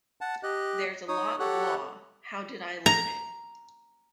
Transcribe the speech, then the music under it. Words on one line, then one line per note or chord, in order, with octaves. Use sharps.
There's a lot of law! How did I learn it?
F#5 A5
G4 D#5 F#6
D#4 C#5 D#6
G4 A4 C#5 F#5 F#6
A#5